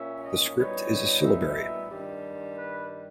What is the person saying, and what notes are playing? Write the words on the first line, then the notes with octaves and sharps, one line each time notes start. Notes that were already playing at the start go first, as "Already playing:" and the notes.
The script is a syllabary.
Already playing: A#2 A#3 C#4 E5
D#5
A#2 G3 B3 D#4 C#5
E5
G2 D#3 G3
B4